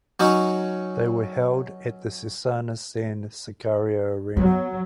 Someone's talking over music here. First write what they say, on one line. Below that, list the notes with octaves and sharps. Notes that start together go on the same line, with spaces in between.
They were held at the Cesana-San Sicario arena.
F#3 C#4 D#4
F#3 B3